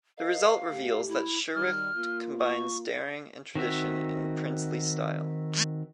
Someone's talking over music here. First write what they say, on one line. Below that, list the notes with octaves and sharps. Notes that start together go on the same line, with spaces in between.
The result reveals that Schuricht combines daring and tradition in a princely style.
A#4 C5 D#5 F5
G#2 A3 G4
E4
D#3 G3 F6
A#3 F4
C#6
D#3 C4 F#4 E5